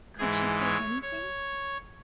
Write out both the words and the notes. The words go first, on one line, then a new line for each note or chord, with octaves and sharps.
Could she say anything?
G#2 E3 G#3 G#4
C#5
C#5